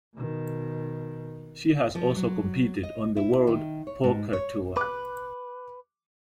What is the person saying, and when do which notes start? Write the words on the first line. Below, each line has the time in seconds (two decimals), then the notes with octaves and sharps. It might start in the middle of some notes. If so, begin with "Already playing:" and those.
She has also competed on the World Poker Tour.
0.15 B2 D#3
1.95 F3
2.16 F#3
2.83 D#5
3.16 E4
3.47 D#3
3.87 C#5
4.04 G#2
4.33 C#5
4.77 B4 D6 F#6